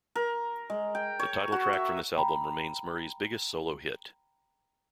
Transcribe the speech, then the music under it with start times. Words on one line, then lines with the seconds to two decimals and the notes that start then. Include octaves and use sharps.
The title track from this album remains Murray's biggest solo hit.
0.15 A#4
0.70 G#3
0.95 G5
1.19 C#5
1.52 F#4
1.73 E5
2.17 G5 A#5 B5